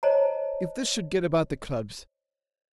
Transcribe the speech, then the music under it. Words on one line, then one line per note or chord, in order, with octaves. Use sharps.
If this should get about the clubs!
C5 C#5 D#5 A5 A#5